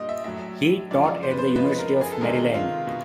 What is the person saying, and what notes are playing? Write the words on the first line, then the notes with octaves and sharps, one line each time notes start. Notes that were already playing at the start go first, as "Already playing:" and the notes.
He taught at the University of Maryland.
Already playing: A#2 G3 D#5
E5
A2 F#3 E5
C#3 F3 G#3 D5
C5
B4
C5
C#3 F3 G#3 B4
A#4
G#4
A4
C3 D#3 G#3 A#4
F4
B2